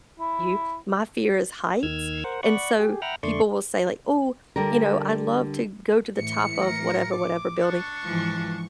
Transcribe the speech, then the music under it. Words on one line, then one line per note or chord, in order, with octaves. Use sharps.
you. My fear is heights, and so people will say like, "Ooh, you know, I'd love to go to the top of whatever whatever building,"
E4
D#2 D#3 E6 F6 G#6
A#4 C5 F#5
D5 F#5 B5 C#6
G4 G#4
E5 F#5 G5 A#5 B5 F6
F2 D3 A3 D5 C6 C#6
D3 G3 A#4
A2 E3 C#7
A#4
D6
D4 C#6
G#2 E3 F3